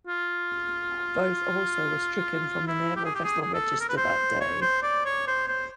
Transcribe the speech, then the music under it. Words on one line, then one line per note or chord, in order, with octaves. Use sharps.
Both also were stricken from the Naval Vessel Register that day.
F4
E4
G4
G#4
G4
G#4
G#4
A4
A#4
B4
C5
C#5
C5
D5
C#5
C5
C5